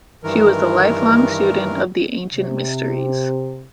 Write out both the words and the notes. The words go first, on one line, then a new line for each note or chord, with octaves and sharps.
She was a lifelong student of the ancient mysteries.
G2 D#3 E3 A#4
C3